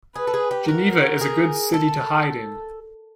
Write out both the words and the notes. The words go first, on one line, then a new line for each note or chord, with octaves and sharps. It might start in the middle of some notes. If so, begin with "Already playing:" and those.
Geneva is a good city to hide in.
G#4 B4
A4
G#4
G4
F#4 A#4
G#4
A4